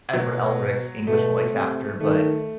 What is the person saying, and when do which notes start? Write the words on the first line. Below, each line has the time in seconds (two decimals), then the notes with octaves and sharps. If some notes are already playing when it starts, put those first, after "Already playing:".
Edward Elric's English voice actor, but
0.13 B2 F#3
1.07 B2 A3
1.53 C3
2.00 D#3 A3